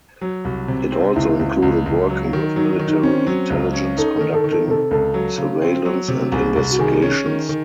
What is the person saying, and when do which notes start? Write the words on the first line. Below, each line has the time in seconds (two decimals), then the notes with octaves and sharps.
It also included working with military intelligence conducting surveillance and investigations.
0.21 F#3
0.45 C2
0.68 C3
0.92 C4
1.16 C#2 E4
1.39 C#2
1.62 C#2
1.86 C#2
2.10 F#3
2.33 D#3
2.56 F#3 D#4
2.72 D#4
2.79 D#3
2.88 D#4
3.03 C4 C#4
3.27 F#3
3.50 C#2
3.73 C#4
3.97 D#4 A4
4.16 A4
4.21 D#3
4.34 A4
4.44 D#3
4.52 A4
4.68 C3 A4
4.91 C#2 A4
5.14 F#3
5.38 C#3
5.62 C4
5.85 F#3
6.08 C3
6.32 C2 G#4
6.56 C2
6.70 F#4
6.79 D#3 G#4
7.02 C#4
7.26 D#3
7.49 D#3